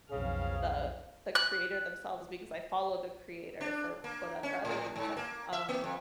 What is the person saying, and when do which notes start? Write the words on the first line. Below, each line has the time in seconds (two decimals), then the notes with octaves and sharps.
the the creator themselves because I follow the creator for whatever other reason, um,
0.11 B1 F2 C#3 G#4 F5
1.35 F#6
3.61 D4
4.04 A#3
4.43 C#4
4.65 A2
4.96 G#2
5.17 A#3
5.53 E5
5.69 A#3
5.84 F2